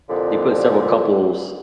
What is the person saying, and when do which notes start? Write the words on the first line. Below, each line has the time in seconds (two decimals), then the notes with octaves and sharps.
they put several couples
0.09 C2 F2 A#2 D3